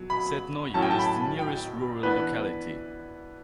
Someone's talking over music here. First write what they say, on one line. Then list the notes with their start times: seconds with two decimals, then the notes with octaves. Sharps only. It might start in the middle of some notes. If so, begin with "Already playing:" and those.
Setnoye is the nearest rural locality.
Already playing: B2 F#3
0.10 B5
0.74 A2 F#3 C#4 A5
0.82 G5
0.91 A5
0.99 B5
1.07 A5
1.39 G5
2.03 E3 B3 D4 B4